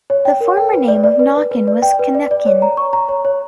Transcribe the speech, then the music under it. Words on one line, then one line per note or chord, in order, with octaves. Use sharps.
The former name of Knockin was Cnukyn.
C#5
G5
A#4
G5
B4
D5
D5
B4
B4
B4
D5
G5
B4
D5
D5
C#5
A#5
C#6
A#5
C#5
C#5